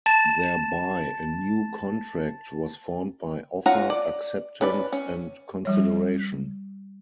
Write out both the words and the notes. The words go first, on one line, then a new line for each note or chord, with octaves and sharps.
Thereby, a new contract was formed by offer, acceptance, and consideration.
A5 A6 E7
C#4 F4 F#5 A#5
D5
C#4 B4 D5
C#4
F3 G3 C#5